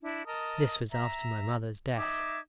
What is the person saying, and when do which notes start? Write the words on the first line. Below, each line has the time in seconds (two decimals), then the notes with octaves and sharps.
This was after my mother's death.
0.01 D4 E4
0.27 A#4 D#5 A5 D#6
0.91 E5 A#5
1.96 D#4 E5 D6 G#6